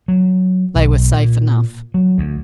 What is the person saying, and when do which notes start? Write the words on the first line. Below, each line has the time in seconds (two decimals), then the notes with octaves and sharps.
They were safe enough.
0.08 F#3
0.75 B1
1.12 A#2
1.94 F#3
2.18 D2